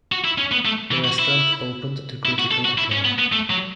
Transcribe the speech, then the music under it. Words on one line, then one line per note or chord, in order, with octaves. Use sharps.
The restaurant opened to critical acclaim.
F#4
E4
C#4
B3
A3
E3
F#4
E4
E4
F#4
A4
F#4
E4
C#4
B3
B3
A3
F#3